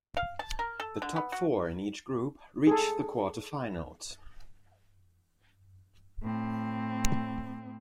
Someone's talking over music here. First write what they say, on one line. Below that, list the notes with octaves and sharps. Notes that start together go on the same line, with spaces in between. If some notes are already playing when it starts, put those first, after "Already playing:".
The top four in each group reach the quarter-finals.
F5
A5
A#4
A4
D3
B3
F#4
G#4 A4
A2 C4